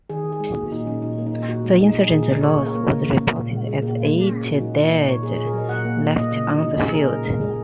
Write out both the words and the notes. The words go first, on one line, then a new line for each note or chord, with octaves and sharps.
The insurgent loss was reported as eight dead, left on the field.
D#3 G#4
D#3
G#4
G#3
A#3 F#4
A#2 D#4
F#3 C#4
A#2 D#4
A#3
D#4
A#2
A#2 F#4
G#3
G#3 D#4
A#2 G#4
A#2
G#3
C#3 C#5
A#3
A#4
A#3
C#3
C#3
A#3
A#2
G#3
G#3
A#2 A#3
A#2
A#3
G#3
A#3 C#4
A#2 F#4
F#3 D#4
A#2 D#4
A#3 A#4
A#2 C#5
A#3 G#4
A#2 G#4
A#4
F#3 D#5
A#2 F#5
A#3
A#2
A#3 D#5
C#3 D#5
F#3 D#4
C#3 D#4
A#3 G#4
C#3 A#4
A#2
G#3 A#4
G#3 G#4